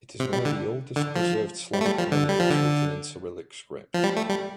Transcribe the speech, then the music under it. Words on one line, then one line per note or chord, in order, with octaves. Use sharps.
It is one of the oldest preserved Slavic monuments written in Cyrillic script.
C3
G3
D3
D3
F3
G3
A3
G3
F3
D3
G3
F3
D3
F3
G3
A3
G3